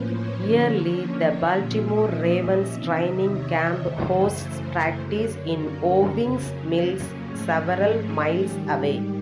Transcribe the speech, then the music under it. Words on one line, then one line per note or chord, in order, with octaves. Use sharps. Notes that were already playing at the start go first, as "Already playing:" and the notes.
Yearly, the Baltimore Ravens Training camp hosts practice in Owings Mills, several miles away.
Already playing: A2 F3 A#3 C#4 B4 C5
C#5
D3 F3 A#3 C#4
A#2 F3 A#3 C#4 E5
D#5
E5
E2 C3 D#3 E5
D#5
C#5
F#2 C#3 E3 A3 C5
F#2 D3 F#3 A#3 C#4
A#4
F2 C#3 F#3 A#3 C#4
G#2 F3 A3 C#4 G#4
G#2 D#3 G3 G4